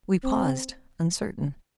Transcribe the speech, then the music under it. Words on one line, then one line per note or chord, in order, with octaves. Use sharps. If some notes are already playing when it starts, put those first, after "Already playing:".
We paused uncertain.
C4